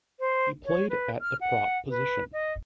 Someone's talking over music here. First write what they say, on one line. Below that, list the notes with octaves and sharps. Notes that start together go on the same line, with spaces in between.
He played at the prop position.
C5
C#5
B4
F6
F#5
B4
D#5